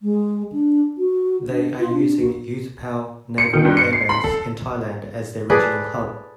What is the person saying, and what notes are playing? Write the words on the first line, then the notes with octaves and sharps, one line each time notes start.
They are using Utapao Naval Air Base in Thailand as their regional hub.
G#3
D4
F#4
D4
F4
D4
F#4
C#7
D#3
G2
C#7
C7
B5
A4
G#4 A4 B4 D5